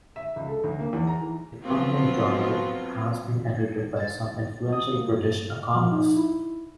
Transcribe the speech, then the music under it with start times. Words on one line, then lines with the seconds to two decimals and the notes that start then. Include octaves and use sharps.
"The Economic Journal" has been edited by some influential British Economists.
0.16 E5
0.36 C#2
0.49 A4
0.64 D2
0.79 A#3
0.93 E2
1.07 A#5
1.21 E3
1.63 F3 F#3 B3 C4 F4
4.00 A6
4.72 D#6
4.94 A#3
5.12 G2
5.50 F6
5.75 F3
5.92 D#4
6.17 E4